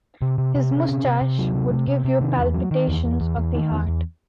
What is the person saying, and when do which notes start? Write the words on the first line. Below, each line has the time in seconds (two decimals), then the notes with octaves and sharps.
His moustache would give you palpitations of the heart.
0.22 C3
0.38 C3
0.55 C3
0.71 C#4
0.89 C3
1.04 C3
1.21 C3
1.38 F#3
1.54 C3
1.71 C3
1.88 C3
2.05 C3
2.21 D#3
2.38 E2
2.54 F#3
2.71 D#3
2.88 E2
3.04 E2
3.21 E2
3.37 E2
3.55 D#3
3.71 E2
3.87 E2